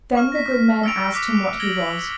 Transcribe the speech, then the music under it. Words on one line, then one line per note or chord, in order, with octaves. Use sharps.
Then the good man asked him what he was.
C#6 F6
A#6 B6
E6 C#7 D7 F7
D6 F#6 B6
G#6 A#6 F#7 G7